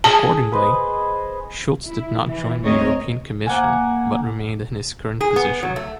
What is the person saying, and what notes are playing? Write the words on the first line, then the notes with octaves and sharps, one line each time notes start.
Accordingly, Schulz did not join the European Commission but remained in his current position.
G#4 A5
B4 C5 D#5
E4
E3
D2 G#2 C4 A#4 C#5 D#5
A#3 F#5 G#5
G#4
B3
F#3
A3